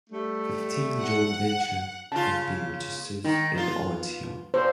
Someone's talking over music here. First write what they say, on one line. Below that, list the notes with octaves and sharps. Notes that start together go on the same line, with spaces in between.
Fifteen joint ventures have been registered in Artyom.
G3 A3
F#5
C#3 F4 A5
D#3 D#4
B3 F4
A#2 C5